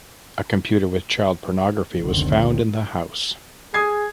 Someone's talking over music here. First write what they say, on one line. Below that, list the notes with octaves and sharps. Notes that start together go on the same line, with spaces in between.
A computer with child pornography was found in the house.
F1 C#2 D3 D#3 C4
G#4 D#6 G#6 C7